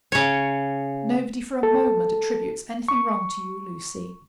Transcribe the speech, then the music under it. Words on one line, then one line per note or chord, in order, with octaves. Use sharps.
"Nobody for a moment attributes anything wrong to you, Lucy."
C#3 C#5
A4
C#6